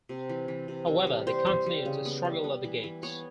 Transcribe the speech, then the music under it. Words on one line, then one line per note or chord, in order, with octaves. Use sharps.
However, they continued to struggle at the gate.
C3
E3
E3
C3
G3
G3
G3 C5
G3
G3
C#3
B3
G3
B3
E3
E3
B3 C#5